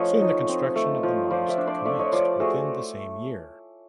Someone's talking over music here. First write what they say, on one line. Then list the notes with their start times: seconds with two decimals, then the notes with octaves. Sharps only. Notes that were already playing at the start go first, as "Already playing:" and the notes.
Soon the construction of the mosque commenced within the same year.
Already playing: F3 A3 C#4 C#5 D#5
0.21 D#4
0.48 C4
0.76 A3
1.03 F3
1.30 F3 C5 D5
1.48 D5 E5
1.58 D4
1.67 C5 D5
1.85 A3 D5 E5
1.99 C#5 D#5
2.12 F3 C5 D5
2.40 A3 F#4 G#4